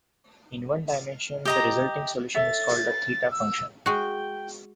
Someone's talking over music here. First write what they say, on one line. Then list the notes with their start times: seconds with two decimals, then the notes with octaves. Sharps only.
In one dimension, the resulting solution is called a theta function.
1.45 G4 D#5 A#5
2.35 A4 C#5 E5 A6
3.32 E6
3.86 G#3 F#4 G5